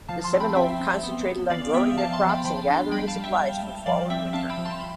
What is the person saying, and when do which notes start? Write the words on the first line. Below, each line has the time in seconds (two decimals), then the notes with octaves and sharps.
The Seminole concentrated on growing their crops and gathering supplies for fall and winter.
0.09 F3 F5 A5
0.24 A5 C6
0.33 C4
0.40 G5 B5
0.56 C4 E5 G5
0.80 C4
1.03 B3
1.27 B3
1.50 E3 D5 F5
1.73 B3 E5 G5
1.97 F3 F5 A5
2.13 A5 C6
2.21 F3
2.29 G5 B5
2.44 F3 G5 B5
2.69 D4
2.91 G3 G5 B5
3.07 F5 A5
3.16 G3
3.24 E5 G5
3.40 G3
3.63 G3
3.86 F3 D5 F5
4.10 C4 E5 G5
4.33 C4 F5 A5
4.50 G5 B5
4.57 F3
4.65 A5 C6
4.81 B5